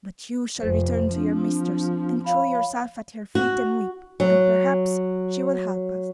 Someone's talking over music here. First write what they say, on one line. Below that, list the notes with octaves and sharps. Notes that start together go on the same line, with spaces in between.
But you shall return to your mistress, and throw yourself at her feet and weep, and perhaps she will help us.'
F1 C5
F3 C4 D4
C#5 F5 B5
F#4
F#3